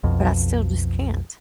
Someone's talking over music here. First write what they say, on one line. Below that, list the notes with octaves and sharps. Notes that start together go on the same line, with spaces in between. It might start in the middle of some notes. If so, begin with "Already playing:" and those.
but I still just can't.
B1 F2